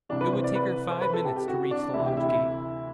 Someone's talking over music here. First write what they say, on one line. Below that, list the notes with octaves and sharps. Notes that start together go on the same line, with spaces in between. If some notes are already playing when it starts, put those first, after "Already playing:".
It would take her five minutes to reach the lodge gate.
C2 C3 E3 D4
B4
C5
D5
B4
C5
B4
A4
G4
G4
F#4
D4
D2 C3 E3 E4
G4
E4
E4